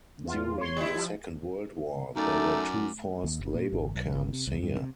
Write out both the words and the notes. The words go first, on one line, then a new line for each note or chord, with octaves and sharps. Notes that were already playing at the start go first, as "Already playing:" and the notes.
During the Second World War, there were two forced labor camps here.
E2 F4
C#5 C6
G3 E4
F3
F#2 A3 D#4 D5
D#2
G1
A#2
G#1
B1
G1
C3
C2
G2
C3